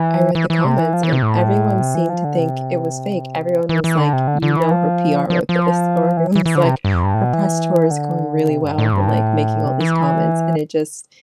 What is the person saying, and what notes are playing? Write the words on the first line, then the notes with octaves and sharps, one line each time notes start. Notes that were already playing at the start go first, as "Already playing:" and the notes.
I read the comments and everyone seemed to think it was fake. Everyone was, like, "You know her PR wrote this." Or, everyone was, like, "Her press tour is going really well," and, like, making all these comments, and it just
Already playing: E3
E3
E3
C3
E3
F3
E3
C3
A2
C3
E3
F3
D3
C3
E3
E3
D3
C3
D3
D3
E3
F3
F3
F3
E3
E3
E3
D3
C3
G2
F2
G2
A2
B2
E3
D3
C3
G2
A2
G2
A2
C3
E3